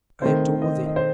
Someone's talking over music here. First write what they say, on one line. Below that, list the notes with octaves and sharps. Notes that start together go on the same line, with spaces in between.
I adore thee!
D#3 A3 C4 C5
D#5
D#5
C5